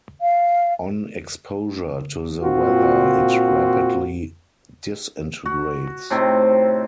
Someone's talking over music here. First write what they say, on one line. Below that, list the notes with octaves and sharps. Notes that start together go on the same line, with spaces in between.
On exposure to the weather it rapidly disintegrates.
F5
A#2 C4 F4 F#4
F#4
A2 C3 C4 D#4